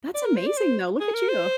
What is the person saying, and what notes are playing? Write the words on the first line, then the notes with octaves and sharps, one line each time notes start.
That's amazing, though. Look at you.
D5
A#4
C5
D5
C5
G#4
A#4
C5